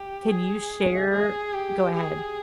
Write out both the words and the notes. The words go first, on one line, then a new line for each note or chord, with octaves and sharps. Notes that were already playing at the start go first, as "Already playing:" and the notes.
Can you share Go ahead.
Already playing: G4
G#4
G#4
G4
G#4